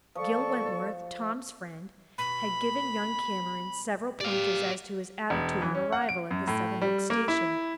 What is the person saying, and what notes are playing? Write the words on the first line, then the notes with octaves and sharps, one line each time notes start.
Gil Wentworth, Tom's friend, had given young Cameron several pointers as to his attitude on arrival at the Seven Oaks station.
F3 A4 D5 C#6
B2 B5
G4 D5 F5
E1
E3
C#4
F#5
D7
F#2
A2
G3
A#3
E4